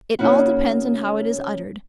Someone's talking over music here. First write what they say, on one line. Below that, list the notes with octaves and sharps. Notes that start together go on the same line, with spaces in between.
It all depends on how it is uttered.
C#3 A#3 C#4 D#4 E4 F#4